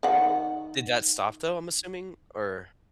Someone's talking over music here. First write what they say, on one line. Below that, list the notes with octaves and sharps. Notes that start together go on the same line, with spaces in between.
Did that stop, though, I'm assuming? Or...
D#3 F#5